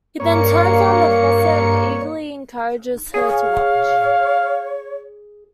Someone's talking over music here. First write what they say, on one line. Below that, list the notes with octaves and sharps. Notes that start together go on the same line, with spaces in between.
He then turns on the faucet and eagerly encourages her to watch.
G2 A#3 C#5 C#7
G#4 C#5 F5